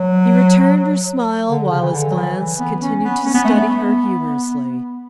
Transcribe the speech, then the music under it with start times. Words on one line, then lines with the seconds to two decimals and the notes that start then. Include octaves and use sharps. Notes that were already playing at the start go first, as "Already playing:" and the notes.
He returned her smile while his glance continued to study her humorously.
Already playing: F#3
1.49 D3
1.71 C#3
1.82 E3
1.93 D3
2.11 F#3
2.15 E3
2.36 E3
2.59 B3
2.80 C#4
3.04 B3
3.25 C#4
3.34 B3
3.44 A3
3.54 B3